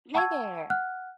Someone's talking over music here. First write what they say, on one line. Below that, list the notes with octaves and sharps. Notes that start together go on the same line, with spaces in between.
Hey there.
F#5 A5 C#6 E6 G#6
F#5 F6 F#6